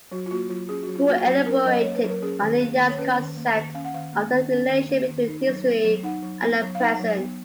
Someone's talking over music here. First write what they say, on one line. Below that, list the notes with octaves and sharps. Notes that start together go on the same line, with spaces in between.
Wu elaborated on the Yan's concept of the relation between history and the present.
F#3 F#4
F4
A#3 F#4
F#3 F4
C#4 G#4
F#4
F#3
F4
A#3 F#4
F#3
C#4 A#4
F#3 D#5
A#3 C#5
B4
F#3
A#4
C#4 G#4
D#3
A#3
D#3
C#5
C#4 B4
D#3
A#3
D#3
C#4 F5
F#5
D#3 F5
A#3
D#3
C#4
D#3
A#3
D#3
D#4
F#3
B3
F#3
D#4 F#5
F#3
B3
F#3
F5
D#4 F#5
F#3
B3